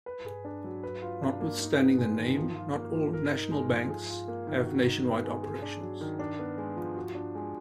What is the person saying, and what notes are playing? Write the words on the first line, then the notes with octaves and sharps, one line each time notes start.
Notwithstanding the name, not all "national banks" have nationwide operations.
B4
G#4
D4
F#3
B4
F4
D4
A#3
D#4
B3
G#3
D#3
F3
F4
A#3
F3
A#4
D#4
G#3
F3
G#4
F4
A#3
D#3
F#4
D#4
B3
G#3
G#4
D4
F#3
D#3
D4
B3
G#3
F3
F#4
D4
G#3